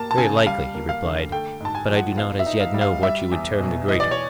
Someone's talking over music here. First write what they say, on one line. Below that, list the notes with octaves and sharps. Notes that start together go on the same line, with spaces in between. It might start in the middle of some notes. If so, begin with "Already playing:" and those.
Very likely, he replied; but I do not as yet know what you would term the greater.
Already playing: A#3 A5
A5
C#3 G#5
G3 F5
A#3
F5
D3
A3 G5
G#2 A5
G#5
F3
F#5
B3 F5
E5
D#4
F5
G3
F5
G3 E5
E2
B2
E3 D#5
D5
C#5